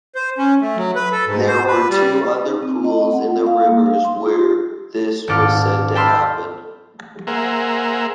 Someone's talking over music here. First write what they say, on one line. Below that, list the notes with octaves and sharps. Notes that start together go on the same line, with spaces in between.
There were two other pools in the rivers where this was said to happen.
C5
C#4
A3
F#3
B4
A4
G#2
C5
B4
G3
D#4
C4
D#5
C4
F#5
F4
F5
A#3
F5
C6
F4
G4
D#1 G#2 A4 D6 F6
G5 A5 B5 C6 E6 F6
A#3 G#4 A#4 C5 E5 F#5